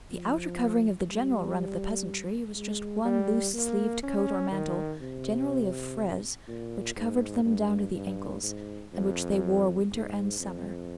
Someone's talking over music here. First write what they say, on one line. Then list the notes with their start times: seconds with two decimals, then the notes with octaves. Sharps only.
The outer covering of the general run of the peasantry was just one loose sleeved coat or mantle, generally of frieze, which covered them down to the ankles; and which they wore winter and summer.
0.11 F3
1.09 G3
2.56 G#3
3.05 G3
3.54 A#3
4.03 C#4
4.51 D#3
5.01 C3
6.48 A#2
6.96 G#2
7.45 G2
7.94 G2
8.43 G#2
8.93 F2
9.91 G#2
10.39 F2